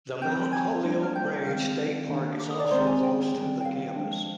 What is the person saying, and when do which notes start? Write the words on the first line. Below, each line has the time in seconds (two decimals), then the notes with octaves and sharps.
The Mount Holyoke Range State Park is also close to the campus.
0.21 F3 C4 G5 G6
0.52 G#5 G#6
0.84 G3 A#3 D4
1.03 F6
1.15 G5 G6
1.46 D#3 G#3 C4 F5 F6
2.09 D#3 A#3 D4
2.39 D6
2.50 D#6
2.59 D5 D6
2.67 A#5
2.71 D#3 G#3 C4 C5 C6
2.87 G#4 G#5
3.03 G5
3.34 D#3 G3 C4
3.61 G5
3.65 F5
3.96 F3 G#3 D4